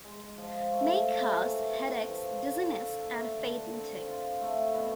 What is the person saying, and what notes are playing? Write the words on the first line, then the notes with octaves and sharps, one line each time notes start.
May cause headaches, dizziness and fainting.
G#3
F3
A3
A3
E3
C3
F3
D3
A4
A3
D3
C4
F4
A3
B2